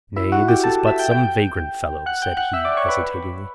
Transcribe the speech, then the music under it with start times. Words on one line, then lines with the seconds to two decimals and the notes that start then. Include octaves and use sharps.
"Nay, this is but some vagrant fellow," said he, hesitatingly.
0.16 E4 E5
0.32 F#4 F#5
0.48 G4 G5
0.64 A4 A5
0.87 E5 E6
0.99 G5 G6
1.11 G5 G6
2.06 F#5 F#6
2.22 G5 G6
2.37 F#5 F#6
2.53 E5 E6
2.65 D5 D6
2.77 C#5 C#6
2.89 B4 B5